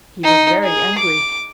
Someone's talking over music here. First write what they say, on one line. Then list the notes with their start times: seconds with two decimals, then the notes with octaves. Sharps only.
He was very angry.
0.24 D#4
0.64 G#4
0.98 D6